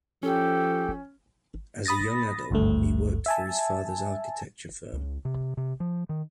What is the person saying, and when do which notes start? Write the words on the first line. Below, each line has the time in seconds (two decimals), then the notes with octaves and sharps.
As a young adult, he worked for his father's architecture firm.
0.23 F3 C#4 G4 A4
1.86 B5 D#6 A6 A#6
2.51 G#1 D2 G2 A3
3.26 E5 G#5 A5
4.93 C#2
5.25 C3
5.57 C3
5.80 F3
6.09 D#3